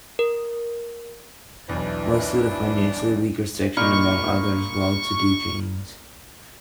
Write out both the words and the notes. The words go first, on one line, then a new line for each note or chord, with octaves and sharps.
Mostly the financially weaker section among otherwise well to do jains.
A#4
B1 E2 D4 E4 B4
A#2 D#4 B5 C#6 F6